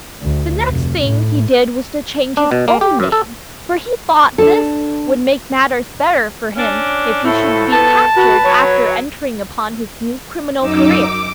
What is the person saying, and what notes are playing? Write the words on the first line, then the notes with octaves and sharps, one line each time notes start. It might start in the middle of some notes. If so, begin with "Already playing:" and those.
The next thing he did was to change his own name, for he thought this would make matters better for him if he should be captured after entering upon his new criminal career.
D2
F1
A2
D4
B2
A#3
G4
F#2
A4
D4 A4
C#4 D4
A2 F3 E4 F#4 A4
B3 A5
F#4 B4
F#3 C#5
F#2 D#4 D6 E6
D6